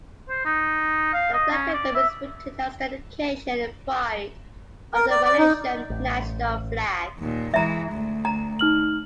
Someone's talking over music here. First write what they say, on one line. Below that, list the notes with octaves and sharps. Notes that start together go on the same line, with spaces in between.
The flag anthem is written as dedication and pride of the Malaysian national flag.
C5
D#4
F5
D#5
C#4
D5
E5
A#4
D5
D5
D#4
A1
D#2 A#2
E3 G#3 E5 A#5
D2
A#5
D#4 F6 F#7